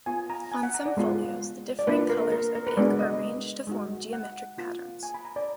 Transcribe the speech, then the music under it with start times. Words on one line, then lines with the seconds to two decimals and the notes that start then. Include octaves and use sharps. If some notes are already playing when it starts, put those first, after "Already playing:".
On some folios, the differing colors of ink are arranged to form geometric patterns.
0.06 B3 F4 G#5
0.30 A#5
0.52 G#5
0.63 F#5
0.74 A#5
0.86 D5
0.97 G#3 B3 F4
1.79 D5
1.87 A#3 D4 F4 B4
2.10 A#4
2.32 A#4
2.55 A#4
2.67 B4
2.77 G#3 B3 D4 F#4 D5
2.99 D#5
3.67 G#3 D#4 F#4
4.13 F#5
4.58 A#3 F4
5.03 G#5
5.14 B5
5.25 A#5
5.36 D5